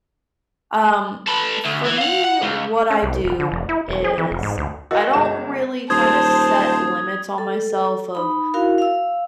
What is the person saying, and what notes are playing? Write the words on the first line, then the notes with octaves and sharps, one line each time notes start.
Um, for me, what I do is I don't really kinda set limits on myself of,
A4 B4
D2
E3
F5 F#5
F#5
C#2
C#4
C2
E1
D3
F1
E4
E1
G#4
E3
F1
G#2
D2
F#4 A#4 D#5 F5 E6
G1 G#3 G#4 C#5 E5 E7
D#1 C5 A5 D#6 G#6
A4
D#4 B5
E4 F#4 A#4 F5
F5 E6